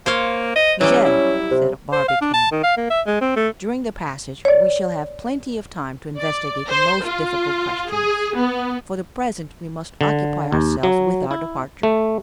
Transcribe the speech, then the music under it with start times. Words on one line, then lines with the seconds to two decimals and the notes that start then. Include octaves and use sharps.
"Michel," said Barbicane, "during the passage we shall have plenty of time to investigate the most difficult questions. For the present we must occupy ourselves with our departure."
0.06 A#3 C5 C#5 F5
0.56 D#5
0.81 E3 F#3 G3 C#4
1.05 E4
1.51 C3
1.92 C5
2.08 F5
2.21 D4
2.34 A5
2.52 D#3
2.63 F5
2.77 A#3
2.90 E5
3.07 G#3
3.21 C4
3.36 A3
4.45 C#5 D5
6.20 D5
6.69 C5
7.05 F4
7.92 G#4
8.37 B3
10.01 D3
10.52 D#2
10.83 F#3
11.31 E4
11.83 A3